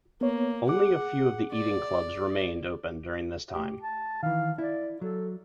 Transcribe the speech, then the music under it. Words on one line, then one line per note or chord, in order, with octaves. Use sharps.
Only a few of the eating clubs remained open during this time.
A#3 B3 C#5
G#4 F#5 D6
D5
A3 G4
A5
D#3 E3 F5
E4 D5
F#3 A4